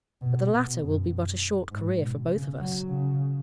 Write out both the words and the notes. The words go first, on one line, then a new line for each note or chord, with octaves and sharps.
But the latter will be but a short career for both of us.
B2
B2
F#2
G#2
B2
C#3
F#3
C#3